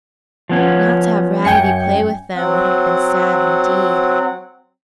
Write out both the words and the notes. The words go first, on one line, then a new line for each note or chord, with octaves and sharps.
Not to have Raggedy play with them would have been sad, indeed.
F3 B3 C#4
F#2 G5 G#5 C#7
F#3 C4 F#5